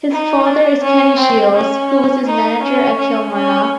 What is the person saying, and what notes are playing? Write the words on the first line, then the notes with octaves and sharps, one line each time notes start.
His father is Kenny Shiels, who was his manager at Kilmarnock.
D#4
D4
C#4
C4
C#4
D#4
C#4
C#4
C#4